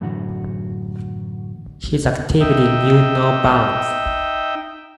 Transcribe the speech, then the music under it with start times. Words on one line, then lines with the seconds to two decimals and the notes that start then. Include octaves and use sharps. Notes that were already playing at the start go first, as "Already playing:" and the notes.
His activity knew no bounds.
0.01 F#2 A2 D3 E3 F#4
2.41 D#4 E5 G5